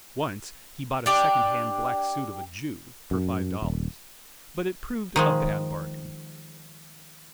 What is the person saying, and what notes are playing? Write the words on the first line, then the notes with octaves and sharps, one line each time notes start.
Once he bought a second-hand black suit of a Jew, for five dollars, but it proved a bad bargain.
D4 G4 D5
F#2
D#1
D#3 F3 G#3